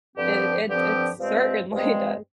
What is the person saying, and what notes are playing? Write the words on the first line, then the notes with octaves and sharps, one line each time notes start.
It it it certainly does.
G2 D3 F3 C4 G4
G2 D3 F3 C4 G4
G2 F3 G#3 C4
G2 F3 G#3 C4